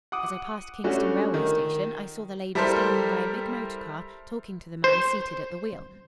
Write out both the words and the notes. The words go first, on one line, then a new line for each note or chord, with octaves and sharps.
As I passed Kingston railway station, I saw the lady standing by a big motor-car, talking to the man seated at the wheel.
F#5 D6 D#6
G3 A3 C#4 D4 F#4
D#3
G3 E4 G4 A4 A#4 C5
C5